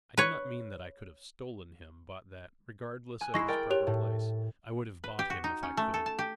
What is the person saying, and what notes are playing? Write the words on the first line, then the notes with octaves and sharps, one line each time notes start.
I do not mean that I could have stolen him, but that, regardless of his proper place, I would have bought him if I could.
B4 C#5
G#5 F#6
G#3 E4 C#6 A#6 C7
A#4 D5 G5
G4 C#5 F7
A2
B4
G4
F#4
D#4
C#4
A3
A4
A5
G4